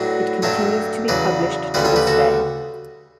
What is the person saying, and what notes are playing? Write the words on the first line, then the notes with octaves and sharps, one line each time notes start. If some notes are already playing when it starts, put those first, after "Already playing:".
It continues to be published to this day.
Already playing: A2 F#3 B3 D4 F#4
G2 F#3 A3 A4 C#5
E2 C#3 F#3 B4 D5
D2 C#3 G3 B3 B4 D5
A4 C#5
G4 B4
F#4 A4